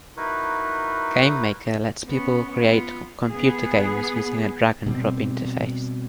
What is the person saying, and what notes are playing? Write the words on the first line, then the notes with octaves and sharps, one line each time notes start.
Game Maker lets people create computer games using a drag-and-drop interface.
D#4 E4 F#4 A#4 B4
B3 C#4
B3 F4
B3 G#4
B2 G3 C4